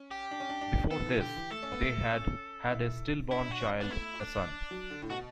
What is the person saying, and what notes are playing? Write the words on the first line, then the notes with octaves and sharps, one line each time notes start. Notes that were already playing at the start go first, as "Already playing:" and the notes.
Before this, they had had a stillborn child, a son.
Already playing: C#4
G4
D4
C#4
D4
D4
B3 A4
E3
D3 G4
E3
A3 A4
C#4
B3
A3
C#4
E4
D4 E4
F#4
C#4
B3 D4
A3 E4
D4
F#3
D3
A2
B2 F#4